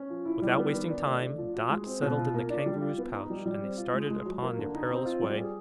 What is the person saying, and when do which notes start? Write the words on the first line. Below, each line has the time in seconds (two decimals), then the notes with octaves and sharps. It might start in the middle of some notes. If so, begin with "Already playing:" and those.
Without wasting time, Dot settled in the Kangaroo's pouch, and they started upon their perilous way.
Already playing: C#4
0.09 F3
0.25 E4
0.42 G3
0.58 B3
0.73 D#3
0.90 D4
1.06 A3
1.22 D4
1.37 F3
1.54 F#4
1.70 G#3
1.86 C4
2.02 B2
2.18 F4
2.34 A#3
2.50 D4
2.66 G3
2.81 F4
2.98 B3
3.14 D#4
3.30 G3
3.46 G3
3.61 C4
3.77 F4
3.93 G#3
4.10 G#3
4.25 F#3
4.42 A#3
4.58 D3
4.74 D#4
4.90 C4
5.05 F4
5.22 G3
5.38 G#4